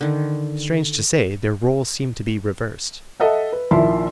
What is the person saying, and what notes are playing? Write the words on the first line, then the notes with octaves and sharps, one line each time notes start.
Strange to say, their roles seemed to be reversed.
D3 D#3
A4 D#5 E5 F#5
B4
A#1 D#3 F3 E4 E5 C6